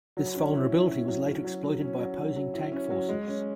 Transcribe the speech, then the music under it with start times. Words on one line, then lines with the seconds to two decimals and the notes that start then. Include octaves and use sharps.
This vulnerability was later exploited by opposing tank forces.
0.17 F#3
0.35 C#4
0.54 E4
0.72 E4
0.89 C#4
1.08 F#3
1.26 C#4
1.44 F#3
1.63 F#3
1.82 C#4
1.99 F#3
2.17 F#3
2.36 F#3
2.54 E4
2.72 C#4
2.90 F#3
3.09 G#3
3.28 C#4